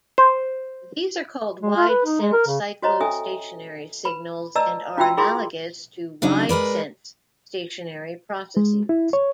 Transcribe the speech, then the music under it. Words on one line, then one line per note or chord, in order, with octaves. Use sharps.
These are called wide-sense cyclostationary signals, and are analogous to wide-sense stationary processes.
C5
G#3
F4
B4
D#4
G#3
A#4
C#3
F#4 C5 C#5 D#5 A#5
C#4 A4 E5 G#5 D#6
B4 B5
B4 D5 D#5 A5 A#5 E6
C#4 F4 F#4 G5 B5 E6
E4 G#4 A#4 B5 C6
C#3 F#3 D4 D#4
G#3 A#4 B4 D5
G#3
E4
C#5